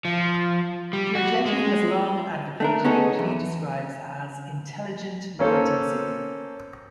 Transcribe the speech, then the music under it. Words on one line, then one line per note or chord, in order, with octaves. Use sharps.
Georgetti has long advocated what he describes as "intelligent militancy".
F3
G3
F#4
G#3
A3 D4 A#4
B3 C#4 D#4 G#4 A4
E2
A#3 C#4 A4 C5